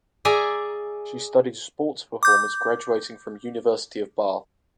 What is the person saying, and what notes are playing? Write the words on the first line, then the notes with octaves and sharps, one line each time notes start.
She studied Sports Performance graduating from University of Bath.
G#4 D5 E5 G#5 A#5
D6 G6